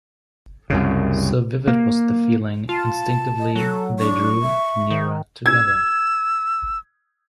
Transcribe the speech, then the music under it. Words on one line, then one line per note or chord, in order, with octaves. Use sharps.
So vivid was the feeling, instinctively they drew nearer together.
C2 F#2 C#3
A#3
F4 A5
D#5
F#3 A4
D4 C#6
E5
D#3
E6 G#6